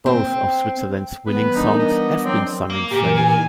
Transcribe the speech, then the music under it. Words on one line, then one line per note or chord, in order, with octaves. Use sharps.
Both of Switzerland's winning songs have been sung in French.
C4
E3 G3 B3 B4
D4 D#4 A#4
D#5
F#3 C4 D5
A#3
A#2 G4
E3 A#4
G#5
D#3